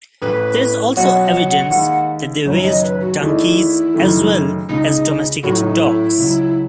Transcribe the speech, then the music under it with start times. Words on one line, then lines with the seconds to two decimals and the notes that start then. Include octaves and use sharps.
There is also evidence that they raised donkeys, as well as domesticated dogs.
0.22 A1 A2 E3 B4
0.96 B1 B2 F#3 C#4 F#4 F#5
1.71 D#2 D#3 G#3
2.45 F#1 F#2 D#3 F#3 C#4
2.63 D#5
2.82 B4
3.01 F#4
3.19 E2 D#3 A3 D#4 E4 F#4 A4
3.94 F#1 F#2 D#3 A3
4.69 C#2 C#3 G#3 D#4
5.43 A1 A2 F#3 F#4
5.52 E4
5.61 D#4
5.70 E4
6.18 C#2 C#3 F#3